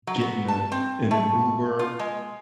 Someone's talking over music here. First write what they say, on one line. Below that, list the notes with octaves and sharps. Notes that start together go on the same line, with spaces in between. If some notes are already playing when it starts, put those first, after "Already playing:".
get in the in an Uber,
F#3
B3
A5
C4
A3
F4
G#3